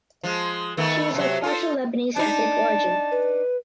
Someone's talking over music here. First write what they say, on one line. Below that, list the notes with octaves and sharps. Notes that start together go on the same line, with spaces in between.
She is of partial Lebanese ethnic origin.
F3 G#3
D#3 A3 B3
C3 F#3
D#4 F4 A4
D4 D#4 A5
B4